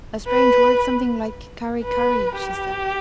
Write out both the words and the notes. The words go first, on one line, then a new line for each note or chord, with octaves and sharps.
"A strange word something like curry curry," she said.
B4
B4
G4